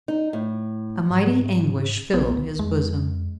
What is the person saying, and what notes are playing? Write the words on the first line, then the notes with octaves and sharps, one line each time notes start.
A mighty anguish filled his bosom.
D#4
A2
G#2
A#1 B3
C#2
F2 G#3